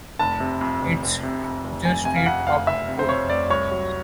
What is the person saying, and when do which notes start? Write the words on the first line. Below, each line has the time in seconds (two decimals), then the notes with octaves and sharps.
It's just straight-up cool.
0.19 F1 A5
0.40 C3
0.61 F2
0.81 F1
1.02 F1
1.23 C3
1.43 F2
1.64 F1
1.85 F1 G#5
2.05 C3 G#5
2.16 F5
2.26 F2 F#5
2.47 F1 F5
2.67 F1 E5
2.88 C3
2.99 C5
3.09 F2 C#5
3.29 F1 D5
3.50 C2 C#5
3.71 F#3